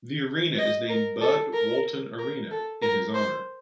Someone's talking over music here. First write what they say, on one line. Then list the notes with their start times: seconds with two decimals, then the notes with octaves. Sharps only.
The arena is named Bud Walton Arena in his honor.
0.58 D#5
0.89 A#4
1.22 A4
1.54 A#4
2.19 A#4
2.51 A4
2.82 A#4
3.15 C5